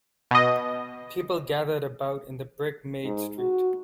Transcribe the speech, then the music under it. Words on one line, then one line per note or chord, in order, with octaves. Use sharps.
People gathered about in the brick made street.
B2 D#5
G#2
F#4